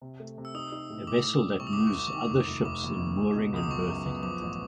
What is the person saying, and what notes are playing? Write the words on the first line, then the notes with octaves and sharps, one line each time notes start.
A vessel that moves other ships in mooring and berthing.
C3
A3
C3
E6
D#4 D#6
D#4
A2
A2 D6
A2
G3
C3 C#6
D#6
C2 D6
C#6
C2 D6
C#6
D#3 D6
F1
F1
F1 D6
D#2
D#2
C#2
B2
C#2 D#6
D6
B3 C#6
F#2
B3
F3 D6
A1